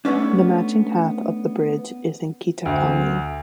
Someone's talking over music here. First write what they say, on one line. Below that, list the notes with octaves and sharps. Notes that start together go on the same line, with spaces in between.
The matching half of the bridge is in Kitakami.
A3 B3 C#4 D4
D2